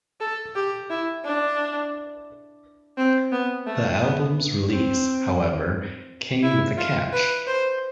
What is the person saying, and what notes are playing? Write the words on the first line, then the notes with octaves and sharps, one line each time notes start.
The album's release, however, came with a catch.
A4
G4
E4
D4
C4
B3
A3
B3
C4
E4
F4
B4
C5